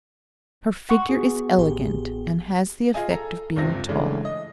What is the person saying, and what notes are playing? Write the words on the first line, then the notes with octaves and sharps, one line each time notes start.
Her figure is elegant and has the effect of being tall.
F#5 C6 C#6
B3 F#4 G#4
A1 G4
F4 G#4 D#5 G#5
A4 A#5
D#1 C#2 G2 C3 A#6
C#3 E3 G#3 A3 D4
D#5